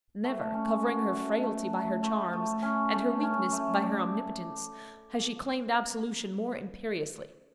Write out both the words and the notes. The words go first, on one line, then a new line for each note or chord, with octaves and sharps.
Never, covering her frailty by her charms, and her weakness by her omnipotence, has she claimed absolution more imperiously.
A3
C#4
F#4
A3
A3
A3
A3
A3
C#4
A3
C#4
A3
D5